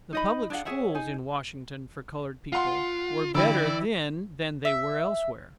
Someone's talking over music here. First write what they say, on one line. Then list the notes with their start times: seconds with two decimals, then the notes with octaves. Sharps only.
The public schools in Washington for coloured people were better then than they were elsewhere.
0.13 D#4 D#5 B5
0.50 D4 G#4 F5 F#5
0.65 G#4 C#5 E5 F#5
0.95 D#4 G#4 G#5
2.52 F4 F5 F#5 C6
3.35 D3 E3 E4 D5 G5 B5 E6
4.65 E5